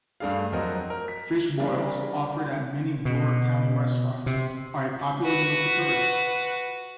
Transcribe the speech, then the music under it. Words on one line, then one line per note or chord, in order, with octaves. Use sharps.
Fish boils, offered at many Door County restaurants, are a popular meal for tourists.
G2 A3 D4 G#4 F5
F2 F#3 C4 F#4 A#4 D#5
A#4
B6
E3 G3 A#3 D4
B2
C3
F#4 B4